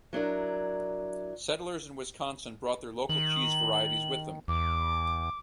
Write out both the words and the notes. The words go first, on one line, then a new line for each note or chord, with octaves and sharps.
Settlers in Wisconsin brought their local cheese varieties with them.
F#3 D4 E4 A#4
D#3 F#7
E2 D6